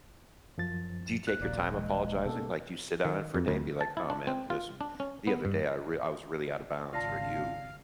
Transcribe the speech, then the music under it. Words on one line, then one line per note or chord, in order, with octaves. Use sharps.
Do you take your time apologizing? Like, do you sit on it for a day and be like, "Oh, man, listen, the other day, I real I was really out of bounds," or do you
F#2 F3 A6
D#2 F#6
D#1 A#1 A#3 D5
E3 G#3
F#2 B2 A#3 C#4 A4
D#3
F2
D2
A5
E4
D4
C4
F4
D4
C#4
B3
G2
G#1 C#3 F4 D5 F5 A5 A#6